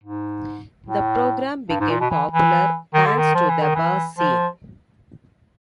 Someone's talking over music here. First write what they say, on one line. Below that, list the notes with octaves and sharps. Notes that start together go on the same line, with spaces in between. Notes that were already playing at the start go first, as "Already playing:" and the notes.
The program became popular thanks to the warez scene.
G#2
A2
G2
G#2
A#2
B2
E3
E3
D#3
D3
D#3
F3
E3
D#3
E3
F3